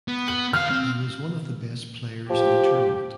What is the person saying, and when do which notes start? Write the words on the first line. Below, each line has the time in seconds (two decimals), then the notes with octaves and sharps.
He was one of the best players in the tournament.
0.08 B3
0.28 F#7
0.53 D#3 F5 F6
0.70 C4
2.30 F3 G4